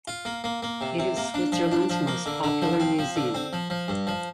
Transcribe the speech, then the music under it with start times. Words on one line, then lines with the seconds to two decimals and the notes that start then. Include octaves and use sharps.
It is Switzerland's most popular museum.
0.07 F4
0.25 A#3
0.44 A#3
0.63 A#3
0.81 C3
0.99 C3
1.17 A#3
1.34 D4
1.52 F3
1.72 D4
1.90 F3
2.07 A#3
2.26 D3
2.43 D3
2.62 F3
2.80 C4
2.99 F3
3.16 D3
3.34 C4
3.53 F3
3.70 F3
3.88 G2
4.07 F3